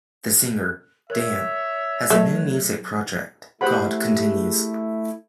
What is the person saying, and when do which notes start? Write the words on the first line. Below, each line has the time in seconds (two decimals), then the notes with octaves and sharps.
The singer, Dan, has a new music project called "Continues".
1.10 A#4 C#5 E5
2.10 F#3 A3
3.61 A3 E4 G4 G#4 C5 F#5 B5